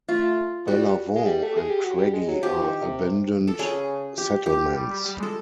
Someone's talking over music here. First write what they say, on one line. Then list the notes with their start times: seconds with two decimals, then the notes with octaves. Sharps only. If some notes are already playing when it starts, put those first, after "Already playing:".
Bellavaun and Craggy are abandoned settlements.
0.09 A3 F4
0.67 G3 F#4
1.15 G#3
1.26 G3
1.43 A3
1.57 G#3
1.70 G3
1.84 F#3
1.98 G3
2.13 G#3
2.28 F#3
2.42 F3 G4
2.57 E3
2.62 D#3
2.81 C3
3.48 A4
3.59 C#3 G#4
4.18 G4
4.46 G4
4.76 G3
4.90 G3
5.05 G3
5.20 G#3
5.23 A4